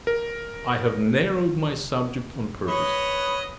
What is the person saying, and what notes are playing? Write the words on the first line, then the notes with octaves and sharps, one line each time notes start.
I have narrowed my subject on purpose.
A#4
B4 C#5 D#5